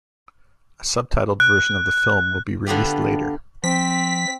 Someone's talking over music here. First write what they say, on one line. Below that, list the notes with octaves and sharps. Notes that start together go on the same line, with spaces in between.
A subtitled version of the film will be released later.
F#6
D3 B3 F4 G4
F3 C4 B6